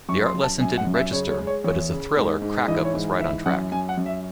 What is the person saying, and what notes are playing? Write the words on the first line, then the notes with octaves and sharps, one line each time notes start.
The art lesson didn't register, but as a thriller "Crack-Up" was right on track.
F#2 C#6
C6
F#2
A5
F#2 G#5
F#5
F#2
E5
C#3 C#5
C#5
G#3
C#5
E2 C#5
C#3
G#2
G#2
E3 D#5
C#5
G#2
E3 E5
F#2 F#5
F#2 G#5
F#5
F#2
E5